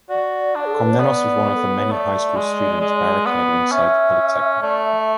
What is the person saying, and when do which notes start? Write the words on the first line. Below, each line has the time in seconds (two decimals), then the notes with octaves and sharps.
Komnenos was one of the many high school students barricaded inside the Polytechnic.
0.09 F#4 D5
0.55 D4
0.65 G#4
0.73 A4
0.82 B4
0.91 C#5
1.00 B3 D5
1.55 A4
1.67 B4
1.78 C#5
1.91 A3 D5
2.36 G#3
2.80 G#3
3.26 B3
3.71 C#4 E5
4.62 A3 D5
4.84 E5
4.99 E5